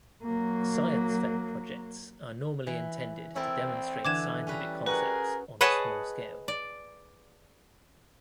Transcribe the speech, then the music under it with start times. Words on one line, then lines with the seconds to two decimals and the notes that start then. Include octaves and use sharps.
Science fair projects are normally intended to demonstrate scientific concepts on a small scale.
0.24 F#3 A#3
2.67 E3
3.36 C4 E4 A4 A#4
4.05 D3 E3 D6 G#6 E7
4.47 G3 C#4 B4 A#5
4.86 F#4 G#4 A#4 B4 D#5 F#5
5.61 G#4 B4 C#5 D#5 F#5 A5
6.48 D5